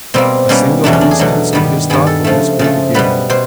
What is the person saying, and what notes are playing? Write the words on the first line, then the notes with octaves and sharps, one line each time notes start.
A single instance of his thoughtfulness will be given.
B2 G3 A#3 C4
B2 G3 A#3 C#4
E2 B2 F#3 A3 D4
C#4
D4
G#4
E2 B2 F#3 A3
G2 D#3 G3 B3
G2 D#3 G3 B3 G#4
A4
C#3 F3 A3
C#3 F3 A3
B2 G3 B3 B4
B2 C5